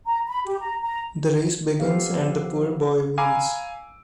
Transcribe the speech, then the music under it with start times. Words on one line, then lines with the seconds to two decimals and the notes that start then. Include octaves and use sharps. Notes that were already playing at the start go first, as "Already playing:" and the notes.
The race begins and the poor boy wins.
0.07 A#5
0.27 B5
0.45 G4
0.60 A#5
0.82 A#5
1.80 F3 B3 G4 A4 C5 F5
3.18 F5 G#5 A#5 B5 D6 E6